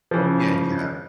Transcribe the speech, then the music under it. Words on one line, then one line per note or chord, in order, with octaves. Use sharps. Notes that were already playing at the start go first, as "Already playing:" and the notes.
Yeah, yeah.
C#3 E3 F3